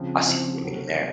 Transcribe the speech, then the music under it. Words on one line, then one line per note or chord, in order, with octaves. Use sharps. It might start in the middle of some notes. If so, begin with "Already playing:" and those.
I see what you mean there.
Already playing: C#3 F3 C4
C#3 F3 C4
C3 F#3 C4 F#4 A4